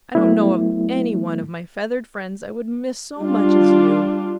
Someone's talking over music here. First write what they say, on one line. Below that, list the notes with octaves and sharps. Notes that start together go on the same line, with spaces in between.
"I don't know of any one of my feathered friends I would miss so much as you."
F#3 A3 B3 E4
G3 D4 F4